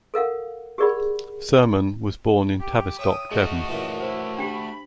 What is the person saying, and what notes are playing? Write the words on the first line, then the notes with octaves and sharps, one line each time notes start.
Surman was born in Tavistock, Devon.
A4 A#4 F5 F#5
G4 G#4 A#4 D5 F#5 B5
G4
C#5 E5 G5 D#6
A3 F#4 G#4 D#5
F#2 A#2 E3
E4 C5
D4 G4 B5